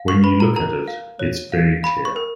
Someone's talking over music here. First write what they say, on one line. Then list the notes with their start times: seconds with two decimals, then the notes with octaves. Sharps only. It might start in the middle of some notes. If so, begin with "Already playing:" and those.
When you look at it, it's very clear.
Already playing: F5
0.08 C#6
0.24 B4 B5
0.40 A#5
0.56 A#4 A#5
0.88 F5
1.19 C#5
1.52 F5
1.83 F5 B5
2.05 C#6
2.16 A#4